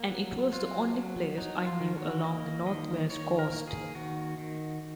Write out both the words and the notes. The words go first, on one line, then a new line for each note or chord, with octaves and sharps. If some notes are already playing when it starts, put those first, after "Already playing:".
And it was the only place I knew along the north Wales coast.
Already playing: A#3
F#3
F#3 F4
F#3
F#3 D#4
F4
D#3
F#4
A#3 D#5
D#3 D#5
D#3 C#5
A#4
A#3
G#4
D#3 F#4
D#3